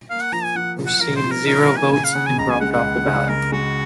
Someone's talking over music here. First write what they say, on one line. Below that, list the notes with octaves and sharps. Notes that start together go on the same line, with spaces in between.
He received zero votes and dropped off the ballot.
A#3 F5
F#5
F3 A#5
G#5
F3 F#5
F3
F#5
F3 A#4
C5
F3
A#4
D#4 A#4
A#4
A#3
G#5
C#3 G#5
F5
C#3 F#5
G#5
C#2 A#5
G#5
G#3 F#5
F#5
C#2
C#3
G#3 A#4
G#3 F#4